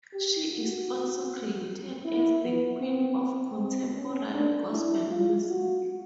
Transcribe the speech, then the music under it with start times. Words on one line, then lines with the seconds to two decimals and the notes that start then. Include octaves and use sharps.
She is also credited as the Queen of Contemporary Gospel Music.
0.13 G4
0.52 F#4
2.05 E4
2.42 B3
2.80 C4
3.18 C4
3.95 C#4
4.33 D4
4.72 E4
5.10 F4
5.49 F#4